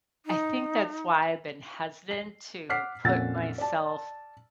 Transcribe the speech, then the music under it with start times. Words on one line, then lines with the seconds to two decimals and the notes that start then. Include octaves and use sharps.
I think that's why I've been hesitant to put myself
0.26 D#4
2.11 C7
2.69 F#5 D6 F6 B6 C7
3.04 F2 A#2 C#4 F#5 E6 A6
3.58 D5 A5